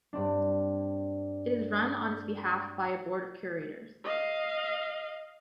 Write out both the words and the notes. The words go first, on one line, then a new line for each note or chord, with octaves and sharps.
It is run on its behalf by a Board of Curators.
G2 C4 D4
D#5 F5